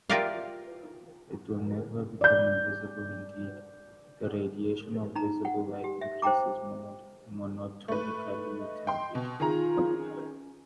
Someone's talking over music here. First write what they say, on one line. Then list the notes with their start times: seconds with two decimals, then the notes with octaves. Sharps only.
It will never become invisible-indeed, the radiation of visible light increases monotonically with temperature.
0.10 F4 G4 A#4 D5 E5 F5
2.21 D5 G6
5.16 D#4 A#5
5.45 F#5
5.84 G4
6.01 E5
6.22 C5 D#5 G5 A#5 D6
7.88 A3 B4
8.59 D#5
8.87 G5 C6
9.15 B2
9.40 D#3 F4 G#4 A#5
9.97 C#4